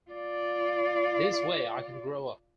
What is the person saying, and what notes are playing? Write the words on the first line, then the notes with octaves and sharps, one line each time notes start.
This way I can grow up.
F4 D5